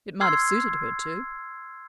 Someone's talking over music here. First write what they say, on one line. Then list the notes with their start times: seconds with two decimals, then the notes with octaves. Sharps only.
It might have suited her too.
0.21 C6 E6 F6 G#6 C7